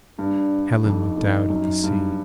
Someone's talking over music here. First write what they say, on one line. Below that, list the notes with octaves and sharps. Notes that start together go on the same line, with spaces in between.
Helen looked out at the sea.
G2 D4
F2 D#4
F2
F#2
G2